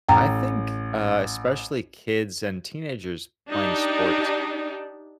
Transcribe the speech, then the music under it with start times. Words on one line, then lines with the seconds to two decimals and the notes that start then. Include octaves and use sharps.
I think, uh, especially kids and teenagers playing sports,
0.09 A1 G5 A#5
3.50 D4 D#4 G4